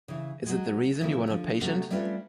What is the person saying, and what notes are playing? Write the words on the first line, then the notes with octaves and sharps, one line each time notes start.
Is it the reason you were not patient?
C#3 E3
F#3 G#3
C#3 F3 A3 A#3 C4 E4
D3 F3
C3 F#3 A3 B3 C#4
G3 A3 C4 C#4 F4 B4